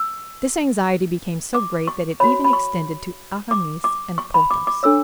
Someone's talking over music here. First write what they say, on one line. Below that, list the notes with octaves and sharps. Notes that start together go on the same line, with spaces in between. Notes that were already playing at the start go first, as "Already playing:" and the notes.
This anxiety became so great that it even extended to Aramis and Porthos.
Already playing: E6
D6
C#6
F#4 C#5 B5
B5
C#6
D6
D6
C#6
B5
D6
D6
D4 A4 C#5 E6